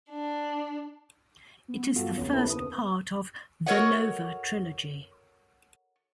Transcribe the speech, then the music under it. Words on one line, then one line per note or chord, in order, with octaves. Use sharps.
It is the first part of "The Nova Trilogy".
D4
B3
G2 F4 F#4 A4
D#2 C#3 C#4
E4 A4 B4
B3 D#6
F#4 A4 A#4 C#5 D#5 F#5